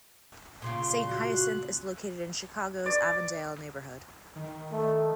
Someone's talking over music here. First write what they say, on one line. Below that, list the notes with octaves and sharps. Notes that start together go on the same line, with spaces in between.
Saint Hyacinth is located in Chicago's Avondale neighborhood.
A#2 C#3 F4 C6
F#4 F#6
D5
D#3
A3